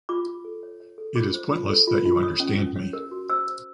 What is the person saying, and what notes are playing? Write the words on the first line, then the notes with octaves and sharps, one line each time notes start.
It is pointless that you understand me.
F4 D6
F4
A4
C#5
C#5
A4
F4 D6
C5
F4
A4
F4
F4
C#5 D#6
C#4
C#4
C#5
A#4
F#4
C5 E6
C5